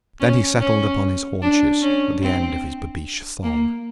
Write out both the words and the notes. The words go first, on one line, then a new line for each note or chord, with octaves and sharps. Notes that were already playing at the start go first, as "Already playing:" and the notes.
Then he settled upon his haunches at the end of his babeesh thong.
C#4
C#4
D4
C#4
C4
A#3